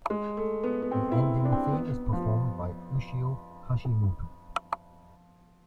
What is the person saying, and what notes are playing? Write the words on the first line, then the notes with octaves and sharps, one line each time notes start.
The ending theme is performed by Ushio Hashimoto.
G#3
A3
B3
B3
C4
E4
D4
C4
B3
F3